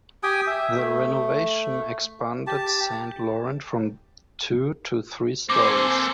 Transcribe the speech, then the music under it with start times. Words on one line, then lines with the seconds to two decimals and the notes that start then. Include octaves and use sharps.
The renovation expanded Saint Laurent from two to three stories.
0.23 G4 G5 G#5 D#6
0.47 E5
0.77 A3
2.47 G4 A5
5.50 A#3 C4 A4 C5 G#5 D6